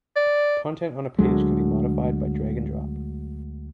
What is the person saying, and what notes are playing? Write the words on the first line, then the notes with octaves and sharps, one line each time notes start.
Content on a page can be modified by drag and drop.
D5
D2 D3 F#3 G#3